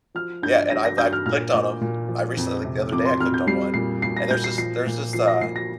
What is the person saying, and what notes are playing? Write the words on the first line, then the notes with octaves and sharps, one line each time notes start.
yeah, and I've I've clicked on 'em. I recently, like, the other day I clicked on one, and there's this, there's this, uh
F3 F6
G2 G6
G2 A#6
A#6
G2 G6
F6
A#2 F6
A#2 D6
A#2
F3
F2
C3
F2 D6
C6
F2 F6
G6
G3 C7
A#2 C7
A#2 C7
A#6
A#2 G6
C7
F3 C7
A#2
F3 C7
A#6
A#2 C7
A#6